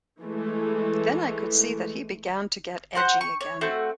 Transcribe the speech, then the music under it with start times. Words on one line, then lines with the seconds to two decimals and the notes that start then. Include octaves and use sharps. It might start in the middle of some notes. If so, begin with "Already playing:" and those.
Then I could see that he began to get edgy again.
0.19 E3 G#3 A3
2.95 F#4 C5 F#5
3.21 C#6
3.41 C#5
3.61 A3 C4 F#4